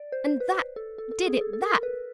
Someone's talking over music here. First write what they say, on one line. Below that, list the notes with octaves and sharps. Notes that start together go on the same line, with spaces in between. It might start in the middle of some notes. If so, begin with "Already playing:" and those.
And THAT did it--that!
Already playing: D5
C5
C5
B4
A4
A4
A4
G#4
A4
A4
A#4
B4